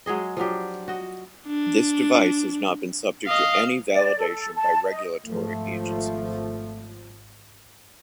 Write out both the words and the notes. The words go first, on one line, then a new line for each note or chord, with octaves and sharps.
This device has not been subject to any validation by regulatory agencies.
F#3 G#3 G#4 D#5
F3 F#3 D4 G4
F#4 D#5
D4
D#5 F5
D5
A4
A5
D#5
G#1 F3 A3